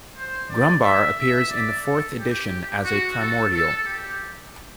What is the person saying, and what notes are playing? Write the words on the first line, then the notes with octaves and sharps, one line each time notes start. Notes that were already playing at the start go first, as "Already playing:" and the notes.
Grumbar appears in the fourth edition as a primordial.
C5
D5
E5
E5
D5
A4
G4
F#4
A4
A4
G4